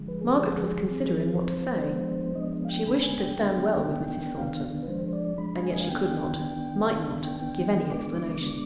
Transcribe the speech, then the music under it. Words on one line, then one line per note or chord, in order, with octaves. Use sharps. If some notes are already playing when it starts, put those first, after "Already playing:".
Margaret was considering what to say; she wished to stand well with Mrs. Thornton; and yet she could not, might not, give any explanation.
Already playing: D3 F3 G#3
B4
G#4
D3 F3 G#3 G4
G#4
F3 C4
F3 C4 C5
F3 G#3 B3 D4
F3 G#3 B3 D4 D#5
F5
G5
D3 G#3 B3 D4 B5
G#5
G5
D3 G#3 B3 D4
D#3 B3 D4
D#3 B3 D4 F5
B4
F3 G#3 D4 C5
C5
D5
F3 G#3 D4 B5
G#5
D#5
F5
D#3 B3 D4 G5
D#3 B3 D4
D#3 B3 D4 F5
G5
D#3 B3 D4 G5
D3 G#3 B3 D4 D6
D3 G#3 B3 D4